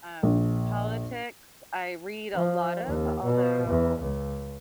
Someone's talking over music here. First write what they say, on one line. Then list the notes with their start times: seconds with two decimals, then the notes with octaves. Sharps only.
Um, politics I read a lot of, although
0.23 A#1
2.35 F3
2.85 D#2
3.24 B2
3.68 E2
4.01 C#2